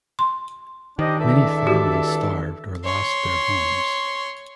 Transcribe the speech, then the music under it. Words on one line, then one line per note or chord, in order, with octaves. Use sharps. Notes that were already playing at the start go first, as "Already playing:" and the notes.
Many families starved or lost their homes.
C6
D#3 D4 G4 C5 D#5
C#2 A4 D5 E5
E3 F#4 G4
C#5 C6